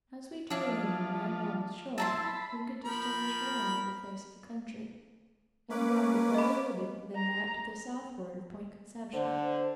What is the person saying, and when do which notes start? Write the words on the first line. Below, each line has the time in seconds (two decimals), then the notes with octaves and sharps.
As we drew in, and ran down the shore, we could distinguish well the face of the country, and found it better wooded than that to the southward of Point Conception.
0.50 F3 D4 E4
1.98 E4 A5 A#5 C6
2.24 B5
2.85 F3 A#4 B5
5.70 A#3 C#4 B4 D6
6.34 D#5 B5
7.15 A#5
9.13 D3 C5